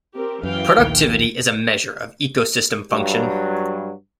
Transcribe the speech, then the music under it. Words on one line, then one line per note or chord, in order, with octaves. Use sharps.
Productivity is a measure of ecosystem function.
C4 G4 A#4
F#2 E3 F5 G5
A#1 D#2 D#3
G2 F#3